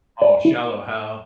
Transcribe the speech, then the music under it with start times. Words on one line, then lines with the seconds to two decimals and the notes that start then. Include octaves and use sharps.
Oh, Shallow Hal.
0.22 D5
0.45 E4